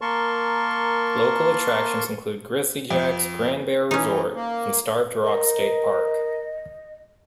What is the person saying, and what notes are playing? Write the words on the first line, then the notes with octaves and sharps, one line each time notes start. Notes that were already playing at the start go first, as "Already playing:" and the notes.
Local attractions include Grizzly Jack's Grand Bear Resort and Starved Rock State Park.
A#3 A#4 A5 C6 C#6
F2
E3 C#4 D#4
A#3
A#4 D#5